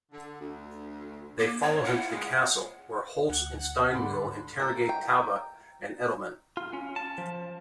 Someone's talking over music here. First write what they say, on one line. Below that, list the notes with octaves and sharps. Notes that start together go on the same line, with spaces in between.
They follow him to the castle, where Holtz and Steinmuhl interrogate Talbot and Edelmann.
D3
D2
A#3
C4 C#5
E4 F4 F#5
A2 C#3 G#3
D2 F#5
G#2 D3 A5 B5 C6
A#3 A4 A#5
G5
F4
C#4
A5
F3